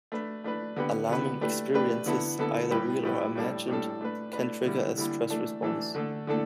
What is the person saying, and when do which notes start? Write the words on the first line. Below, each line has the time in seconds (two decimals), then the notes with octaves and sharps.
Alarming experiences, either real or imagined, can trigger a stress response.
0.12 A3 D4 B4
0.44 A3 D4 B4
0.76 D3 B3 G4 B4
1.09 D3 B3 G4 B4
1.41 A3 D4 G4 B4
1.74 A3 D4 G4 B4
2.06 D3 B3 E4 A4
2.39 D3 B3 E4 A4
2.71 A2 G3 E4 G4 B4
3.03 A2 G3 E4 G4 B4
3.35 A2 G3 D4 A4
3.68 A2 G3 D4 A4
4.01 A3 D4 B4
4.33 A3 D4 B4
4.66 D3 G3 E4
4.98 D3 G3 E4
5.30 E3 A3 D4 A4
5.62 E3 A3 D4 A4
5.95 D3 A3 D4 A4
6.27 D3 A3 D4 A4